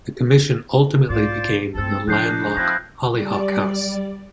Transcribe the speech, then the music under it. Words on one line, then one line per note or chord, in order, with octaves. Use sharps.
This commission ultimately became the landmark Hollyhock House.
B1 G#2 F4 C5 D5
G2 A3 C4 A4
C3 F3 D4 D#4 F#6 G6 C7
F3 C4 D#4 E4 F#6 G#6 A#6
G3 D5